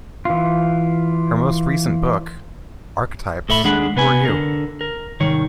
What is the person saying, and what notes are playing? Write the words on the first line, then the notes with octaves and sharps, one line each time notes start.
Her most recent book, Archetypes: Who Are You?
E3 F4
A2 A4 E5 B5
D#2 G#3 D4 G#4 F#5 B5
C3 B3 B4 G#5
D3 A#4
A#4
C2 G#2 D#3 C#5